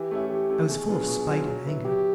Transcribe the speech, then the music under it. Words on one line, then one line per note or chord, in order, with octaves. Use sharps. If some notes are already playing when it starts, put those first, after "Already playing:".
I was full of spite and anger.
Already playing: E3 G4
A3 C#4 E4
E3 G4
A3 C#4 E4
B2 G#4
F#3 B3 D4 F4
B2
F#3 B3 D4 F4
F#3
B3 E4
F#3 G4